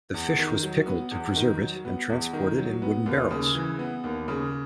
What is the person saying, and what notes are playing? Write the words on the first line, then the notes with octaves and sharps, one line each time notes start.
The fish was pickled to preserve it and transported in wooden barrels.
E2
D#3
F#3
B3
E2
D#3
F#3
B3
E2
D#3
F#3
B3
D#2
C#3
E3
B3
D#2
C#3